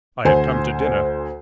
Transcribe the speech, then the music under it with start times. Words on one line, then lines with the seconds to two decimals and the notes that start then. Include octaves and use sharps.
I have come to dinner.
0.25 D2 C5 G#5